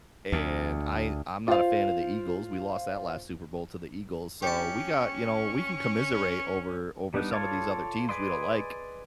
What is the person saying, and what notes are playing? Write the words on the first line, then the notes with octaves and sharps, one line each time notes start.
and I I'm not a fan of the Eagles, we lost that last Super Bowl to the Eagles, so we got you know, we can commiserate over over some of these other teams we don't like.
D2
F4 C5 F5
C#4 G4 A5 C#6
G3 B3 D4 D#4
F4 A4 C#5 D5 F5
G#4 B4 D5 D#5 C6